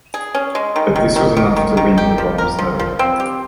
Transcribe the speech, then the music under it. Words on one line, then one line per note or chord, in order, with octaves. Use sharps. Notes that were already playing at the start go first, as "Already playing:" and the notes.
But this was enough to win the bronze medal.
G#4
C#4
G#3
D#3
D#3
D#3
D#3
D#3
D#3
G4
F3
A#4
F3
F3
C4
G4